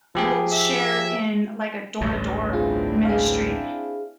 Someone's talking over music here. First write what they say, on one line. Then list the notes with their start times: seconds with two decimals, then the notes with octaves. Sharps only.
will share in, like, a door-to-door ministry,
0.15 F3 G4 G#4
0.52 E5
2.01 A1 D2 G2
2.53 C4 D4 E4 F4 G#4
3.05 G#4 F5